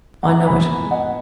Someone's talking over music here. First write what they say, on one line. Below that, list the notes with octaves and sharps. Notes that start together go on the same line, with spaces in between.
I know it.
F2 F#5 A#5
G#5 B5
B3
G#3
D#5 F#5